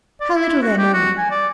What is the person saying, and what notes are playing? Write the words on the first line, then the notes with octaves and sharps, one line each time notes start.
"How little they know me!"
D5
E4
F#4
G4
F#4
G#5
D5